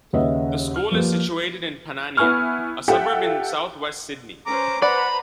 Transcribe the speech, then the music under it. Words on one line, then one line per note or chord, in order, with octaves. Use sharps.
The school is situated in Panania, a suburb in south west Sydney.
D#2 C#3 B4 D#5 E5 F#5
F6
F3 G3 A#3 G4 B4
B3 E4 B4 G#5 C#6 F6
F4 G4 A4 E5 F#5 G5
C#4 B4 C5 A#5 D6
B4 C5 D5 F#5 A#5 B5